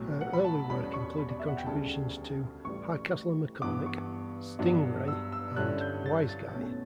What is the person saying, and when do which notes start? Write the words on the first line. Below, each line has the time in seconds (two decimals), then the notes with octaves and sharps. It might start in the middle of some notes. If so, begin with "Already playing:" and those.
Her early work included contributions to "Hardcastle and McCormick", "Stingray" and "Wiseguy".
Already playing: B1 A2 F#3
0.21 F#5
0.33 B5
0.44 A5
0.70 E2 B2 G3 C#4 B5
0.93 C#6
1.18 B5
1.30 D5
1.39 E5
1.48 F#5
1.58 G5
1.66 D2 C#3 G3 A5
2.64 A1 A2 G3 C#6
3.62 G2 E3 B3 D6
3.86 C#6
4.59 G2 F#3 B3 D4
5.08 E6
5.32 E6
5.56 G2 D3 G3 C#4 E4 F#6
5.81 G6
6.06 A6
6.29 A6
6.54 B1 B2 A3 C#4